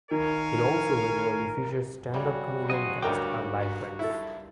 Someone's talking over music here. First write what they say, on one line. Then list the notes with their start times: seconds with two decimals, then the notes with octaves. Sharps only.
It also regularly featured stand-up comedian guests and live bands.
0.11 D#3 A#4 C#5 F5 G#5
2.14 C#3 G3 F#4
2.70 C#3 F#3 C5 D#5
3.02 D2 G2 A#3 D#4 A#4 C#5 G5 D6
3.99 E4 A4